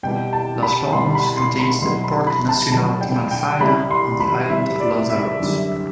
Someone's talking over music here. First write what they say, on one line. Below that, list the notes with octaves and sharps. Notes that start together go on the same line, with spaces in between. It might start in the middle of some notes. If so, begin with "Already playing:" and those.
Las Palmas contains the Parque Nacional Timanfaya on the island of Lanzarote.
C2 B2 G3 G5
A5
B5
C2 B2 G3 C6
B5
C6
B5
C2 B2 F#3 C6
B5
B5
A5
C2 B2 F#3 A5
G5
G5
C2 C3 G3 B5
C6
B5
C2 C3 G3 E5
D5
E5
F#2 D3 G3